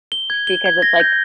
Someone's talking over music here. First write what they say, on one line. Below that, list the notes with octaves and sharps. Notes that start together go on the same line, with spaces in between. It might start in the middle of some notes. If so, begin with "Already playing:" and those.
because it's, like,
G7
G#6
G7
G#6
A#6
G6